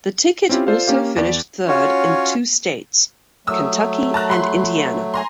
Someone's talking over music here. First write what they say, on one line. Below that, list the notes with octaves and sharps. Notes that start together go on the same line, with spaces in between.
The ticket also finished third in two states: Kentucky and Indiana.
C4 C#4 E4 F4 G4
F4 A4 C5 D5 F5
A#3 C#4 G4 F5
E2 D5
C#4 F4 F#4 C#5
F#3 A3 D#6 E6
A5 A#5 F#6
B5 C6
G#5 A#5 C6